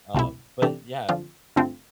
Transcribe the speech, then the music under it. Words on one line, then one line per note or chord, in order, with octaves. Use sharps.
um, but yeah
C2 B2 A3 C4 E4
C3 E3 A3 D4 G4
D3 F3 C4 F4
G2 D3 A3 C4 F4